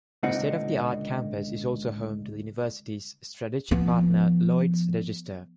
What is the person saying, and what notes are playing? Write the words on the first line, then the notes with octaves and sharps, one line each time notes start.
The state-of-the-art campus is also home to the University's strategic partner Lloyd's Register.
C#2 A#2 D3 C4 D#4 F#5
F3 B3